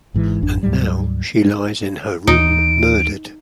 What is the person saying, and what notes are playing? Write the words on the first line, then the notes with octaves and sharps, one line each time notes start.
And now she lies in her room murdered!
G#1 G#2 E3
G#1 F2 D4
D2 G#2 F#3 G3
D#2 E3 D#4 D7